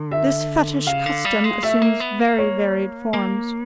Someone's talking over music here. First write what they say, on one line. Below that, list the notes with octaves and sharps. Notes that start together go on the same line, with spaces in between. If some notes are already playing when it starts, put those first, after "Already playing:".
This fetish custom assumes very varied forms.
Already playing: D3
E5
C#3 F5
D3
G3
G#3
A3 E5
A#3
B3
A#3
C#5
A#3